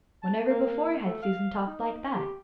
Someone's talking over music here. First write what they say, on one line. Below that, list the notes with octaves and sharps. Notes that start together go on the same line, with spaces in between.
Whenever before had Susan talked like that?
A5
A#3
A3
F5
D#4
G4